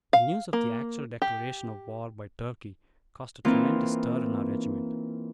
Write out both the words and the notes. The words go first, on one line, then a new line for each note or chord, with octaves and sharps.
The news of the actual declaration of war by Turkey caused a tremendous stir in our regiment.
F5
A#3
G4
E3 A#3 C4 D#4 F4